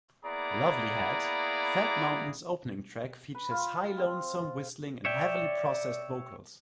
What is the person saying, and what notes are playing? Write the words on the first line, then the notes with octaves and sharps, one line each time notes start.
"Lovely Head", "Felt Mountain"'s opening track, features high lonesome whistling and heavily processed vocals.
A#3 B3 E4 G#4 D5 A#5
B4
F4 F5
C4
C#5 D5 E5 G5